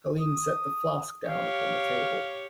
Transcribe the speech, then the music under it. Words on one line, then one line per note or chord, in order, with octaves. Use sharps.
Helene set the flask down upon the table.
D#6
G4 C#5 F5